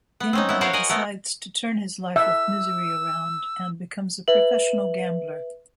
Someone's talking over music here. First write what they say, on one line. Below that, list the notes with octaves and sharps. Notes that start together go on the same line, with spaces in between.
In-ha decides to turn his life of misery around and becomes a professional gambler.
B3
C4 C#4 D#4
B3 E4
F#4 A#4 C5 C#5 F5 F#5
A#4 D#5 F#5 G#5
A3 B3 A#4
E5 E6
B4 E5 F#7